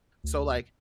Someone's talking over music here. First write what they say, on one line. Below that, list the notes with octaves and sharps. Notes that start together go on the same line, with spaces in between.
So like
D2